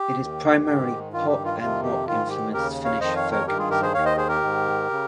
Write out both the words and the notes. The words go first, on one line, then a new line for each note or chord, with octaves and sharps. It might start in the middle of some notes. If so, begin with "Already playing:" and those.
It is primarily pop- and rock-influenced Finnish folk music.
Already playing: G4
D#2 D#3
G#2 D#3
G2 D#3 F4
G4
F4
F2 C3 D#3 F4
G4
G#2 D#3 F4
G4
D#2 C#3 G4 A#4
C#5 F5
F2 D#3 C5 D#5
C#5 F5
A#4 C#5
G2 D#3 G4 A#4
F4 G#4
G4 A#4
G#4 C5
D#2 D#3 C#5 F5
C5 D#5
G#4 C5
G4 A#4
G#2 D#3
C#3